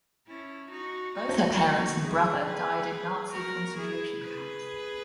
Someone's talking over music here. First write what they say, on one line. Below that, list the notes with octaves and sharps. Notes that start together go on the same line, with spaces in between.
Both her parents and brother died in Nazi concentration camps.
C#4 E4
D#4 F#4
D#4 F#4
E4 G#4
G#4 B4
F#4 A#4
E4 G#4
G#4 B4